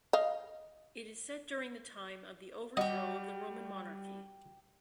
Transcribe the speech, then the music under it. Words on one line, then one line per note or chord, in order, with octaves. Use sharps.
It is set during the time of the Overthrow of the Roman monarchy.
D#5 F5
G3 F#4 G4 D#5